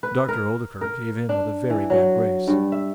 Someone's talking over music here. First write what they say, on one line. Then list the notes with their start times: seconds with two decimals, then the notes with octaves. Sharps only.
Dr. Oldacre gave in with a very bad grace.
0.03 B4
0.29 A#4
0.81 A#4
1.29 D4
1.70 E3
1.90 F#3
2.48 G2
2.72 E5